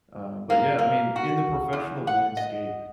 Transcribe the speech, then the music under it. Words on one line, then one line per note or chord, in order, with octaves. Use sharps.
Um, but yeah, I mean, in the professional landscape,
A#3
A#3
F#4
E2
F#5
D#5